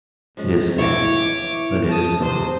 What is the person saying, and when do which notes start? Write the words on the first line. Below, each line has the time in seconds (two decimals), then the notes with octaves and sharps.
It is sad, but it is so.
0.37 F3 G#3 C#4
0.78 E3 E4 C#5 D6
1.89 A5 D#6
2.22 C3 C5